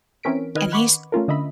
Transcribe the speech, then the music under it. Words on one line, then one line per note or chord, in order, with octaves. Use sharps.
and he's
E3 C4 C#4 A#4 B6 D7
D#3 B4 D#5 F6 G#6
F#5 B5 C#6 D6
A3 C#4 F4 A#4
D3 D#5 E5 B5